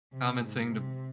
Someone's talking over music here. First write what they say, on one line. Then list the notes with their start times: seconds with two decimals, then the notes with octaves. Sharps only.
common thing to
0.13 C3
0.42 G#2
0.70 C3